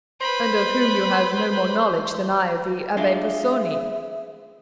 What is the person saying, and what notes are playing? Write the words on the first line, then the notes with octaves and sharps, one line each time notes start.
"And of whom you have no more knowledge than I of the Abbe Busoni?"
B4 C5 B5
G#3 D4 F4 E5